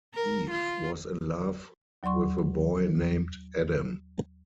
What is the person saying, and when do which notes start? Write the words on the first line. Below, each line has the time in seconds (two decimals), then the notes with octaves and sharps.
Eve was in love with a boy named Adam.
0.15 A#4
0.50 F4
2.03 D#2 F#3 D5 C6 C#6